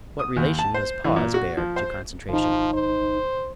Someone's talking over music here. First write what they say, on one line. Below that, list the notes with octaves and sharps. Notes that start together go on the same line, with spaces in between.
What relation does pause bear to concentration?
D#6
D#2
A5
C5
E3
A#2
F#4
F3
C5
G#1 F3 D#4
C5